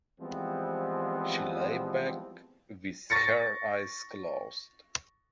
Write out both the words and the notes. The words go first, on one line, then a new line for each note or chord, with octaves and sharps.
She lay back with her eyes closed.
E3 F3 G3 G#3 B3 C4
C#6 A6 A#6 C#7